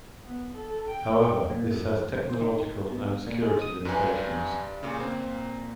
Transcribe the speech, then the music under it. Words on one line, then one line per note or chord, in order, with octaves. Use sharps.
However, this has technological and security limitations.
B3
A4
G5
A#2
F#2
C5
D#3
B2
A#2
G#3
D#6
F#2 D4 G4 B4 G#5
A#2 C#3
A#2 C4